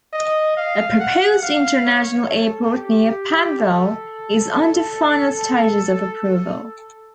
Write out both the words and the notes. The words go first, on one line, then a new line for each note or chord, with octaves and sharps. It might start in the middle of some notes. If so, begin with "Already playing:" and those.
A proposed international airport near Panvel is under final stages of approval.
D#5
F5
F#5
F5
C#5
A4
G4
A4